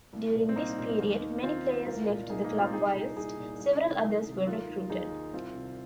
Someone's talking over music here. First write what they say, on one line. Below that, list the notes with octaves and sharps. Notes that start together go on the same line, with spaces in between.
During this period, many players left the club whilst several others were recruited.
C2
A#2
C4
C2 A#3 D#4
A#2
D#2
D#3
D#2 C4 F4
D#3
C2 F4 A#4
A#2
C2 D#4 G#4
A#3 D#4
A#2
C4 F4
C2 D#4 G#4
A#2
C2 D#4 G#4
A#2
C2
C3 D#3
C2
C3 D#3
D#2 F4 A#4
D#3
D#2 D#4 G#4
D#3
C2 C4 F4
C3 D#3